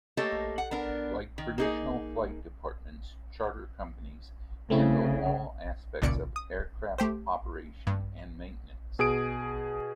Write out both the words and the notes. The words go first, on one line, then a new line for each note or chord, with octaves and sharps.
Like traditional flight departments, charter companies handle all aspects of aircraft operation and maintenance.
A3 A#3 G4 A4 C#5 D#5
F#5
B3 D4 A#4
D#3
A#3 D#4 G#4
C#3 A3 C4 E4
G#1 C#2 A#2 D5 C#7 D7
D#6
A3 G4 C5
G2
B2 G#4 D#6 D7